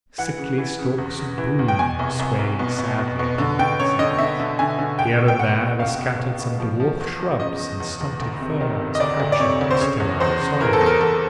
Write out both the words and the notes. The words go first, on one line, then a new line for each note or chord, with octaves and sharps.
Sickly stalks of broom swayed sadly upon the quicksands; here and there were scattered some dwarf shrubs and stunted firs crouching on the sterile soil.
E3 F#5
C#3
E3
C#3
E2
C#3
E3
E2
G5
B2 G#5
C2
C2
C2
B2
B2
B2
B2
D3
D3 G5
F#2 C#5
D3 D#5
D3 E5
D3
D3 G#5
D3
C#2 G5
B2
G5
B2 F#5
B2
C#2 F5
B2
B2
B2
F3
F3
E2
F3
C#3 D#5
E2
E2
E2
D2
C3
D#3
C3
D#5
D2 D5
D2
D5
C3 C#5
D2
C5
C#3 C#5
E2
E2 C5
C#3
E3 A#4
A4
E2
A#4
E2 A4